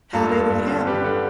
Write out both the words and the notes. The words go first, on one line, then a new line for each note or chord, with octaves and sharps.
"How did it happen?"
G2 F4 A4
G2
G2
D3
D3 G4 B4
D3